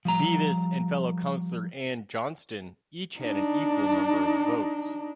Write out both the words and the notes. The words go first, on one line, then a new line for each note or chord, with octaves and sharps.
Beavis and fellow councillor Anne Johnston each had an equal number of votes.
F3 G3 A#5
D4 D#4